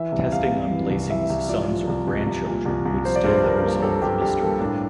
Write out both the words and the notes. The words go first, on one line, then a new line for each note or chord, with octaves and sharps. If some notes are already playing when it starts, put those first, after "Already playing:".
Testing on Blaesing's sons or grandchildren would still have resolved the mystery.
Already playing: E3 E5
C2
C2 F5
C3
E3
C2
E3 E5
C2
F3 D5
F3
C2
C2
C2
A#2
C2
C2
F3 C5
D5
G2 C5
G2 A#4
A#3
G2 A4
G2 G4
G2 G4
A#3 A4
A2 D4